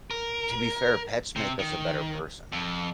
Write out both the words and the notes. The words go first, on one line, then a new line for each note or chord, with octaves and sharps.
To be fair, pets make us a better person.
A#4
C3
D#3
F2